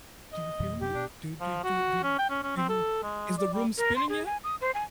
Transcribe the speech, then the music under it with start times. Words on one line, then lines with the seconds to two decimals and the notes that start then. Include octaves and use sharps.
do you feel me? Do, do, do, do you, do you, is the room spinning yet?
0.33 D#5
0.60 F2 B2 E3
0.81 F#2 C3 G4
0.95 B2 D4
1.40 F3
1.64 F#4
2.03 C#4
2.19 G5
2.30 C#4
2.43 C#4
2.57 C4
2.69 A4
3.03 G#3
3.38 D5
3.53 G3
3.78 A#4
3.96 C6
4.09 G#4
4.26 G#5
4.44 D#6
4.61 C5
4.75 G#5